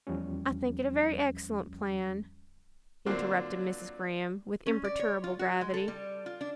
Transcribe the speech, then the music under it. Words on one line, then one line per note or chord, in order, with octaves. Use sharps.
'I think it a very excellent plan,' interrupted Mrs. Graham, with imperturbable gravity.
E2 F3 G3 C#4
D3 F#3 A#3 C4 D4 F4
C#4
D5
C#5
F4
F#4
G#3
A4
G3
F4
D4